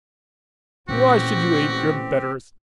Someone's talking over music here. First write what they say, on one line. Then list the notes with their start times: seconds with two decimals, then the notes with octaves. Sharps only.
Why should you ape your betters?
0.89 A1 A#2 C4 F#4 G4